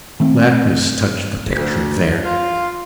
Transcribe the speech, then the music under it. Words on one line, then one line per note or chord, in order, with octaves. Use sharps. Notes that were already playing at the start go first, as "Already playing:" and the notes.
Blackness touched the picture there.
D#3 A3 C4
D2
F4